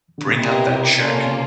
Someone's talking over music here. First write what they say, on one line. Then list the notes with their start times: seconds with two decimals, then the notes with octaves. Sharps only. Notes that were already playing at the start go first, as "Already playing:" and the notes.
bring out that check,
0.18 D3
0.26 C#3
0.37 C3 C4 E4 G4 A#4 D#5
0.52 B2
0.66 C3
0.81 C3
0.96 C#3 A#3 C#4 F4 A4 D5
1.11 C3
1.26 C#3